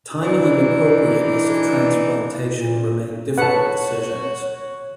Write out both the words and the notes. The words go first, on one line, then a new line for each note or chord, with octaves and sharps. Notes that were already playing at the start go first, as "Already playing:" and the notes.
Timing and appropriateness of transplantation remain difficult decisions.
E3 D4 D#4
A#2
F#4 B4 C#5 F#5 A5